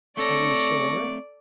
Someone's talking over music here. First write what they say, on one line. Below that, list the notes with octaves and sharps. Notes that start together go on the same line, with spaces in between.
"Are you sure?"
A3 C4 A4 C#5 D5 C#6 A#6